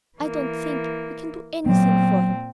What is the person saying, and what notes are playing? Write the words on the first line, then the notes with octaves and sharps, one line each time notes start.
"I don't think--we can do anything for him."
E3 A#3
A#2 F#3 B3 C4